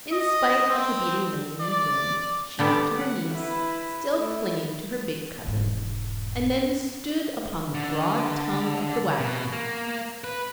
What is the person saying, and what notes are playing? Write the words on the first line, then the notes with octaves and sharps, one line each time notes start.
In spite of the beating rain and wind she got to her knees, still clinging to her big cousin, and then stood upon the broad tongue of the wagon.
D#5
C4
D5
D3 G3 B3 D6
F#5
E4 B4
A3 E4
E1 G#2
D3
B2
A#3
B4